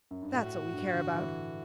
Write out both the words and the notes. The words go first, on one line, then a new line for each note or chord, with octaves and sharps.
That's what we care about.
F#2
G2
A2 F#4
G2
D3
E3